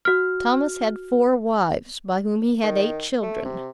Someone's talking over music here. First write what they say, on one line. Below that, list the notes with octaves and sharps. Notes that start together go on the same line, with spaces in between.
Thomas had four wives, by whom he had eight children.
F#4 F6
D#3
A3
C3